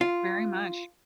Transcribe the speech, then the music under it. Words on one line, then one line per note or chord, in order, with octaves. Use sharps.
Very much.
F4